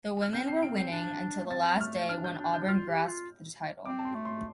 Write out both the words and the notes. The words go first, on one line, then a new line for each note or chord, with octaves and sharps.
The women were winning until the last day when Auburn grasped the title.
F6
C4 G6
C7
D7
C7
D4
A3
C4 A6
A3 F6
D4 F6
G6
D4
G6
F4 F6
G4
F4
C4 D6
A5
C6
A3
C6